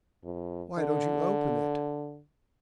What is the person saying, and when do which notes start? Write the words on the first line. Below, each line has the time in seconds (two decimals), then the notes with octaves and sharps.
"Why don't you open it?"
0.24 F2
0.78 D3